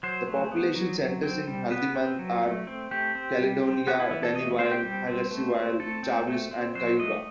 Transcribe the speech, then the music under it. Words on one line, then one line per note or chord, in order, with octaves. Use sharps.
The population centres in Haldimand are Caledonia, Dunnville, Hagersville, Jarvis and Cayuga.
F#3 C5
A3
B3
F#3
F#3
C4
G3
B3 B4
C4
F#3
A3
C4
A3 G4
C4
G3
C4
B3 F#4
E4
E3 E4
A4
A3 D#5
C4 C5
G4
G3
C4
A3
C4
A3 A4
C4
A3
C4
F#3 C5
A3 D#5